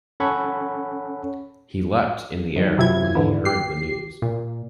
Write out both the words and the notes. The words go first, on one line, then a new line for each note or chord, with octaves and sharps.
He leapt in the air when he heard the news.
C#4 A4 C#5 F#5 B5 C#6
F#2 D#3 F3
F#2 C3 E4 F4 G#6
G#2 D3 E3 E4
G4 C7
A#2